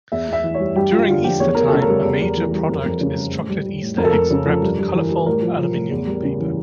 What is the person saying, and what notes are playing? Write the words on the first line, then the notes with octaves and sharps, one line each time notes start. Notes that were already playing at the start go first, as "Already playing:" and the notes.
During Easter-time, a major product is chocolate Easter eggs wrapped in colorful aluminium paper.
E2 E5
E2 E5
E3
C#5
G3
G2 G4
G2 F4
D3 F4
F3 G4
E2 C#5
E2 A#4
C#3 A4
A#4
G3
E2
E2
E3
G3
F2
F2
C#3
G3
A2
G3
G3
A2
F2 A#4
A4
F2 A#4
C#3
F3
G2
G2
E3
G3
A2 A#4
F3
F3
A2
E2
G3
C#3
E3